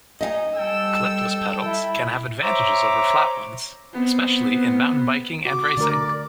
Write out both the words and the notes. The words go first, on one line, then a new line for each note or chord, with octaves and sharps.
Clipless pedals can have advantages over flat ones, especially in mountain biking and racing.
D#4 D#5 E5 G#5
G3 A4 G5 E6
E4
C5 C#5 E5 A#5 D6
B3 C4
F#4 D6
D3 A3 A#4 D5